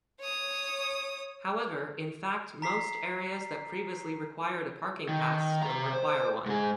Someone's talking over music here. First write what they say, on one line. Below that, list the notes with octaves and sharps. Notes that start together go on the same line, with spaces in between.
However, in fact most areas that previously required a parking pass still require one.
C#5 D#6
A#5 B6 C7
D#3
C3 A#5
C5
G#2 G#4